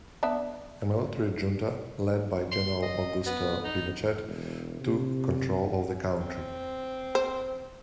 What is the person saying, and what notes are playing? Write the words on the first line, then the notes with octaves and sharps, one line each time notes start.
A military junta, led by General Augusto Pinochet, took control of the country.
B3 D4 E5
C6
D#5
B3
D#4
E1
C3
C4
C5